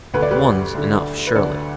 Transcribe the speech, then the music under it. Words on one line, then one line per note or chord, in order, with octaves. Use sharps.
But one's enough, surely.
D2 D3 B4
D5
G4 B4
D2 D3
B4
D2 D3 A4 D5